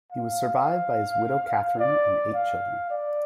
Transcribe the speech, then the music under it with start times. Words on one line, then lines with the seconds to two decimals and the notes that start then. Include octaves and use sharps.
He was survived by his widow Katherine and eight children.
0.12 F5
1.79 D5
2.34 F5
2.90 D5